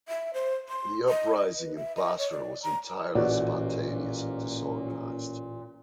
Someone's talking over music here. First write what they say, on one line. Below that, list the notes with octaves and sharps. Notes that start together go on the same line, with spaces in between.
The uprising in Basra was entirely spontaneous and disorganised.
E5
C5
C6
D#5
B4
E5
D#5
C#5
D5
A#5
A1 A#2 A#3 C#4 F#4 D5